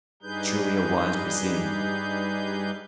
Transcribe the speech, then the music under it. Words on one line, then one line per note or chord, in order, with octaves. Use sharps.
Truly a wise proceeding!
G2 G3 D#4 G#4 B4 G6